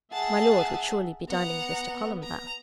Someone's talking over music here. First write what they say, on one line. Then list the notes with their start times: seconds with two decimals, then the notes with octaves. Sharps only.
My lord would surely be dining with Mr. Columbell.
0.13 G#4 E5 F#5 A5
1.29 B3 F#5 A#5
2.23 A#5